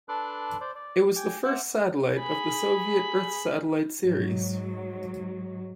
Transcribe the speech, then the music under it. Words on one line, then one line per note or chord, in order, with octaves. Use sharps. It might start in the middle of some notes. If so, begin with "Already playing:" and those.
It was the first satellite of the Soviet Earth Satellite series.
D4 A4 B4 C6 D6 F#6
C5 D5
D5
G5 G#5 D6
C5 E5 F#5 D6 F#6
G#4 B5
G#2 F#3